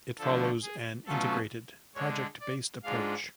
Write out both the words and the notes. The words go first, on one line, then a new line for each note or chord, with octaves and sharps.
It follows an integrated, project-based approach.
D3 F3 A3 A4
G#4
B2 F#3 A3 C#4 F4 A4
D3 G#3 D4 C#5
D5
G#2 G#3 D4 F4 F5